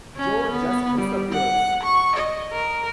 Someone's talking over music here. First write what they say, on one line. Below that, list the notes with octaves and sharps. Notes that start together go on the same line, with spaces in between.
Joe just disappears.
C#4
B3
G3
F#5
C#6
D#5
A#4